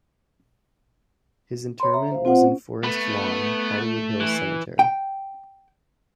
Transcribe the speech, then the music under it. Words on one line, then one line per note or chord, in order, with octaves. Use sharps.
His interment was in Forest Lawn - Hollywood Hills Cemetery.
C#5 B5 C6
E5 A#5
C5 F5
C4 F4 C5 F#5
C#4
A3 B3 B4
E3
G5